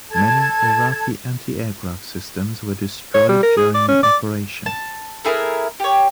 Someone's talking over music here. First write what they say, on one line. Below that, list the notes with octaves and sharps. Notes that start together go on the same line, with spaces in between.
Many Iraki anti-aircraft systems were destroyed during the operation.
A4 A5 G#6
C#5
G3
A#4
G#4
D5
C#4
D5
A5
A3 E4 G#4 A#4
G4 C#5